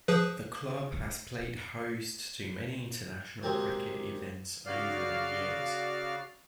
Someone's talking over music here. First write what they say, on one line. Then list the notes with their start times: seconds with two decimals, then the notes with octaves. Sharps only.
The club has played host to many international cricket events over the years.
0.08 F3 G#4 B4
3.43 C3 F#3 G#3 A#3 C4 G4
4.66 C#3 F#4 D5 F5 F6